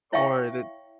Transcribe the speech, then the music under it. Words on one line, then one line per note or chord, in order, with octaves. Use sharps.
Or the
E4 C#5 E5 F5 G5 C#6